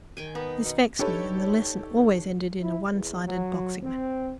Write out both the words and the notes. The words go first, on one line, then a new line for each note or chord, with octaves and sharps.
This vexed me and the lesson always ended in a one-sided boxing match.
D#3 G5 G#5
B3 D#4
B2
D4 D#4 G4 A4 B4 C#5
E4
E2
F#3
C4